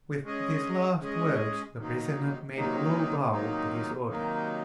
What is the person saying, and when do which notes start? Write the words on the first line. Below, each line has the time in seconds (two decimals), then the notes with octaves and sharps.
With these last words, the prisoner made a low bow to his audience.
0.24 G#3 C#4 G#4 D#5
1.01 G#3 C#4 G#4 D#5
1.77 C3 D#3 F#3 A#3 D#4
2.54 C3 D#3 F#3 A#3 D#4
3.30 C3 D#3 F#3 A#3 D#4
4.07 C3 D#3 F#3 A#3 D#4